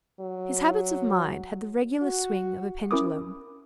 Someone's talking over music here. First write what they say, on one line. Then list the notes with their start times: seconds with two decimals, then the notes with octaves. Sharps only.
His habits of mind had the regular swing of a pendulum.
0.20 F#3
2.02 F#4
2.91 C#4 E4 A#4 D6 D#6